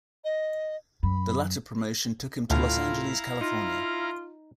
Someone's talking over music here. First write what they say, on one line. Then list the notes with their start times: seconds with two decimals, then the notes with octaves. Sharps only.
The latter promotion took him to Los Angeles, California.
0.24 D#5
1.03 F#2 B5
2.50 D2 A2 E4 F4 F5 A#5
3.41 D#4 F4